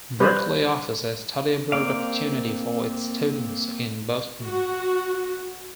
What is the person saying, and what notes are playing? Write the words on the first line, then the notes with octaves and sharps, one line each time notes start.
Berklee offers a study abroad opportunity for its students in Boston.
G3 B4 C5
A#3 C4 D5 F5
F#4